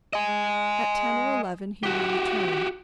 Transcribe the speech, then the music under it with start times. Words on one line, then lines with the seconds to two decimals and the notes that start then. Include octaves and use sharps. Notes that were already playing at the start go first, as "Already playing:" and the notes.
At ten or eleven he would return.
0.13 D#5 G#5
1.83 F#4 G4